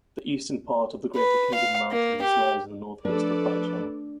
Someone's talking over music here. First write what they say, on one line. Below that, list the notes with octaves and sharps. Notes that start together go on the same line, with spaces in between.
The eastern part of the Greater Khingan Mountains lies in the northwest of Baicheng.
B4
F5
A#3
G4
F3 A3 D4 A4 B4 D5